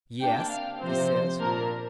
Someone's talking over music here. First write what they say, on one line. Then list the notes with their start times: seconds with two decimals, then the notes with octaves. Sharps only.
"Yes," he says.
0.20 C3 A#3 D4 G5
0.49 F5
0.79 C3 F3 C4 C5
1.39 A#2 A#3 D4 A#4